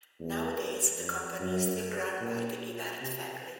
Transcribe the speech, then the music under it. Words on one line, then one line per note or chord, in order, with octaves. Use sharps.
Nowadays the company is still run by the Yvert family.
E2
F2
F#2
A#2
C3